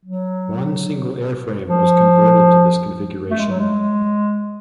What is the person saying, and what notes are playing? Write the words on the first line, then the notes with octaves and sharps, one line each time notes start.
One single airframe was converted to this configuration.
F#3
F3
A3
G#3
F#3
G#3